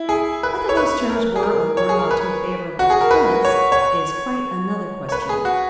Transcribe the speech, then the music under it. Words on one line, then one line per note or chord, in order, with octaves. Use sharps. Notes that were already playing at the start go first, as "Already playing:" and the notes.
Whether those terms were or were not too favourable to France is quite another question.
Already playing: E4
G#4
B4
C#5
B4
A#4
G#4
A#4
C#5
G#4
A#4
B4
F#4
G#4
A#4
B4
C#5
C#5
C#5
B4
G#4
F#4